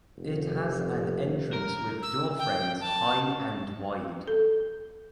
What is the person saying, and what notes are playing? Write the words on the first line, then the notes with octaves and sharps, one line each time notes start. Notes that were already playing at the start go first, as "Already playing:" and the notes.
It has an entrance with door frames high and wide.
F1
A#4
E6
G5
A5
A4